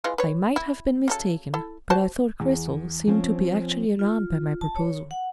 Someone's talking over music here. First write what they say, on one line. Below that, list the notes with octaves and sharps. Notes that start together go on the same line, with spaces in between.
I might have been mistaken, but I thought Cristel seemed to be actually alarmed by my proposal.
E3 G#3 F4
B4 C#5
E4
C#3 F#3 A4
E4 A4
F#4 C5 A5
E2
F3 C4 C#4 C#5
F4
A5
C#5
F#5